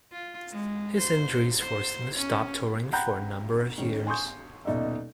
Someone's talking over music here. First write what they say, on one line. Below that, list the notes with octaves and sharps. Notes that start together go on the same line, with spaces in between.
His injuries forced him to stop touring for a number of years.
F4
G#3
C5
C5
C#4
F#5 G5 A#5 B5 F#6 G6
G#2 D#3 C#4
G#5 C6 C#6 D#6 G6
D#1 B2 D#4 D5 E5